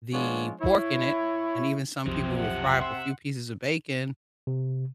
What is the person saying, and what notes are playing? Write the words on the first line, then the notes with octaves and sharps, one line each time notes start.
the pork in it, and even some people will fry up a few pieces of bacon,
F3 G#3 B3 D4 F4 C#5
E4 C#5
B1 F2 C3 F3 F#3
F#5
E5 C6
C3